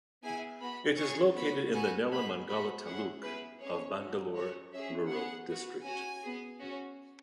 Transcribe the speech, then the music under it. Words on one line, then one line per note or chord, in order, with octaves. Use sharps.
It is located in the Nelamangala taluk of Bangalore Rural district.
B3 E4 G#4 G#5
B3 F#4 B5
C#4 G#4 C#6
B3 F#4 B5
B3 F#4 G#5
B3 G#4 B5
B3 F#4 B5
C#4 E4 G#4 F#5
B3 E4 G#4 B4
C#4 G#4 C#5
C#4 F#4
C#4 F#4 C#5
C#4 G#4 E5
B3 G#4 F#5
B3 F#4
C#4 F#4 G#5
B3 G#4
C#4 F#4